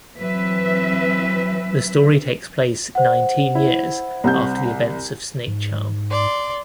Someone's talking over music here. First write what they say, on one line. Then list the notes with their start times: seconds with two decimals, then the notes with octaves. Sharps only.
The story takes place nineteen years after the events of "Snakecharm".
0.18 E3 F#3 C4 B4 E5
2.95 C5 F#5
3.55 E4
4.24 C2 G6
5.47 G#2
6.10 D5 C6